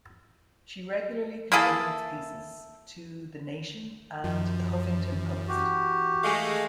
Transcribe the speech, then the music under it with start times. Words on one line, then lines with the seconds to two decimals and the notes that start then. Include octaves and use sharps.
She regularly contributes pieces to "The Nation" and "The Huffington Post".
1.52 A#3 E4 G#4 A4
4.24 F#2 F3
5.12 E3 C#4
5.48 F#4 G4
6.23 G#3 A3 F5